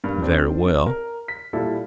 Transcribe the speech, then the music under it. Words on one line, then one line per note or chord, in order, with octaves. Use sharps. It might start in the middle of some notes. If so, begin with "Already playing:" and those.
"Very well."
G2 A#3
C4 D4 C5
A#4
B6
A#2 G3 E4 A4